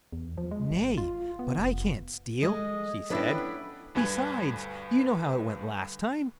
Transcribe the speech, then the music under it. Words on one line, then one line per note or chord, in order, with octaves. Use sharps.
'Nay, but I can't steal', she said; 'besides, you know how it went last time.'
E2
F3
G#3
G#1
F4
B3
F1
G#3 D#5
B3 C#4 D4 E4 B4 G5
D2 G2 B4 G#5 G#6